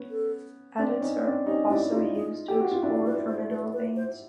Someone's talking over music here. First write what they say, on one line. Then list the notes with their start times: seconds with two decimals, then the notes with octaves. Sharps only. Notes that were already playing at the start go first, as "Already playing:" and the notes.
Adits are also used to explore for mineral veins.
Already playing: B3 C#4
0.11 A4
0.78 C4 D4
1.01 C#4 D#4
1.24 C4 D4
1.46 C#4 D#4 G4
1.69 D4 E4 G4
1.92 D#4 F4 G4
2.15 G#4
2.48 G4 A4
2.60 F#4
2.71 F4
2.83 D4 E4
3.06 B4
3.28 C5
3.50 B4
3.73 B4
3.96 C5